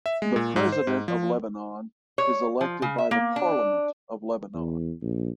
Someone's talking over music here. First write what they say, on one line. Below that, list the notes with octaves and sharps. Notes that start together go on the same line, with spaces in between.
The President of Lebanon is elected by the Parliament of Lebanon.
E5
G#3
A#2
G#2
C5
G#2
F3
C#5
F3
C#3
E5
A#3
D4
E2
A#1